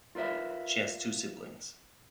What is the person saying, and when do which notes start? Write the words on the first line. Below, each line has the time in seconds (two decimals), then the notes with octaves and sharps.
She has two siblings.
0.15 F4 A#4 B4 E5 F5